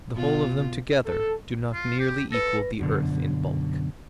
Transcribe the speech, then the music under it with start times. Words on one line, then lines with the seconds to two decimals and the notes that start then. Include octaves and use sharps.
The whole of them together do not nearly equal the earth in bulk.
0.14 B2 F4
1.06 A4
1.73 F4
1.99 G4
2.32 A4 B4 A#6
2.80 F#2 B2 D3